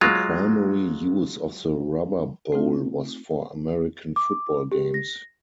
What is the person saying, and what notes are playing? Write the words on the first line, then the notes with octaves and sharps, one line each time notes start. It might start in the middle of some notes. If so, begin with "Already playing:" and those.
The primary use of the Rubber bowl was for American football games.
F#3 G#3 F4
A3 C4 D#4 F4
D6
G4
A#6